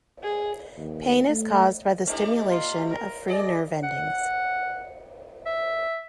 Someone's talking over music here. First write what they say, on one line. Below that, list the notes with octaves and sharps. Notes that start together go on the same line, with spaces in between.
Pain is caused by the stimulation of free nerve endings.
G#4
D#2
A3
A3 D#4 G4
F4
A#4
G4 G#4 D5 D#5
F#5
E5